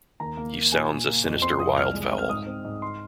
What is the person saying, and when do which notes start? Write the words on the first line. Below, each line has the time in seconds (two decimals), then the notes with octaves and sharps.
He sounds a sinister wild-fowl!
0.20 D#2 A#5
0.37 A#3
0.55 D#2
0.72 A#2 G#5
0.89 A#2
1.08 A#3
1.25 F2
1.42 C4 C6
1.59 F2 D#6
1.77 C2 F6
1.94 G#3
2.12 C4
2.18 F6
2.29 G#2 D#6
2.47 C4
2.64 G#2
2.82 C6